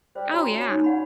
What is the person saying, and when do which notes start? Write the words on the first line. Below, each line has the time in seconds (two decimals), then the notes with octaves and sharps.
Oh, yeah.
0.15 G3 C5
0.32 C#4 F4 F#4 A#5
0.55 C#5
0.70 D#4 F4 C#5
0.84 D5 F#5 B5